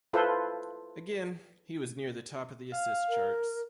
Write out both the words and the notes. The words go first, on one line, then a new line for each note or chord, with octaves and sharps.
Again, he was near the top of the assist charts.
E4 F4 A4 B4 C5
F5
A#4